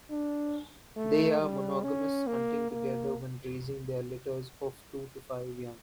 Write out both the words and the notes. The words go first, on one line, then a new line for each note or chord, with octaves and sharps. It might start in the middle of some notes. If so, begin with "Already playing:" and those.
They are monogamous, hunting together when raising their litters of two to five young.
D4
A3
G3
C#4
A#3
A#3